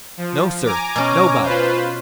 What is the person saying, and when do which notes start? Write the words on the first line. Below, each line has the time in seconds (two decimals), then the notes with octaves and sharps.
"No, sir, nobody."
0.17 F3
0.65 G#5 A#5 D6
0.96 B2 C#4
1.43 F4 B4 C5